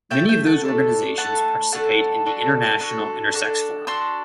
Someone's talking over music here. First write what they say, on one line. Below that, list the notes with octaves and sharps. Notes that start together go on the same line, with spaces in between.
Many of those organizations participate in the International Intersex Forum.
A3 D4 A4 E5 G5
E5 G5
F#5 A5
A3 D4 A4
A3 D4 A4 F#5 A5
A3 D4 A4 F#5 A5
D4 F#4 A4
D4 F#4 A4
D4 F#4 A4
D4 F#4 A4 C6 E6